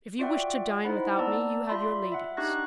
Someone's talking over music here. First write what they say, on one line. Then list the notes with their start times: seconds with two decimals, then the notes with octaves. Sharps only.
If you wish to dine without me you have your ladies.
0.19 F4 F#4 D5 E5 F#5 G5
0.85 D#4 E4 C5 F#5 B5
1.19 B3 D5 A5 A#5 E6
1.69 F4 D5 E5 B5 C6
2.12 E5 F#5
2.37 D4 D#4 G4 C#6 F#6 A#6